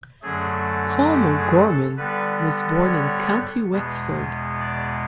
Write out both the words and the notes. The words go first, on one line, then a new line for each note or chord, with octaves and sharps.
Colm O'Gorman was born in County Wexford.
F#2 D3 F#3 A3 G#4
G4
G#4
A4
D3 G3 B3 B4
C#5
E2 B2 G#3 B3
D5